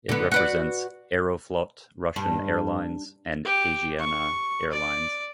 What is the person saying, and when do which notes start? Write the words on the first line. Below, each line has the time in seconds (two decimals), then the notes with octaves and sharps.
It represents Aeroflot Russian Airlines and Asiana Airlines.
0.09 D3 B3
0.32 F#4 B4 D5
2.16 G2
3.45 G4
3.99 C#6
4.71 D5